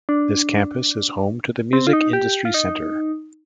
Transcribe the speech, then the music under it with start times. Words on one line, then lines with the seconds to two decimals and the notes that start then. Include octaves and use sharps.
This campus is home to the Music Industry Centre.
0.09 D4
1.73 C4
1.87 F4
1.93 D#4
2.13 G4
2.45 F4
2.54 D#4